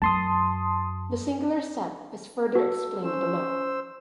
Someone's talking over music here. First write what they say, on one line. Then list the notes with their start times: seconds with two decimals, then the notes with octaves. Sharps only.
The singular set is further explained below.
0.02 F#2 A5 C6 D#6
2.55 F#4 A4
3.04 C#4 C5 E6